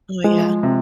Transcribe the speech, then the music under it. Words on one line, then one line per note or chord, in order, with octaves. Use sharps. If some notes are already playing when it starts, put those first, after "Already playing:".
Oh yeah.
F3 G#3
C3